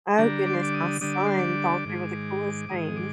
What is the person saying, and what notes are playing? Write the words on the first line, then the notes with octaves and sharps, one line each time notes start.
Oh, goodness, my son thought they were the coolest things.
D3 G3 D4 A#5
D6
C6
D6
D#6
D3 G3 D4 D#6
D6
C6
D6
G#2 D#3 G#3
G#2 D#3 G#3 D#6
D6